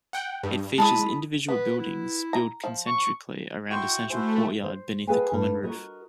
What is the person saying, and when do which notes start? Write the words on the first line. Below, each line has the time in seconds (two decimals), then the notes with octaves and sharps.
It features individual buildings build concentrically around a central courtyard, beneath a common roof.
0.13 F#5 G5
0.43 G2
0.78 F#3 G#3 E4 G#4 A5 B5 D#6
1.49 B3 B4
1.79 E4
2.33 A#5
2.64 F3
2.87 C#6
3.70 E4 F#4 G5 C6 C#6 E6
4.10 A3 E4 F#4 C5 G#5
4.63 C5
5.07 G#4 A4 B4 F5 G5 G#5
5.32 G2
5.63 F#4 A#4 D#5